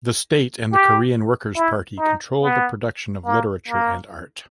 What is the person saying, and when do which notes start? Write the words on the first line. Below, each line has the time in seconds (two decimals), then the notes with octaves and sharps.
The state and the Korean Workers' Party control the production of literature and art.
0.72 G4
1.57 E4
1.99 D#4
2.42 B3
3.26 A#3
3.68 A#3